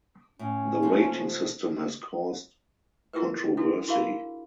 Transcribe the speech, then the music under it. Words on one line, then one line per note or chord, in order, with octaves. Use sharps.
The rating system has caused controversy.
A2 C#4
C3 F3 A3
E4 F4 G#4 A#4 B4
D4 E4 F#4 A4
E4 F#4 G#4 A#4 F5 B5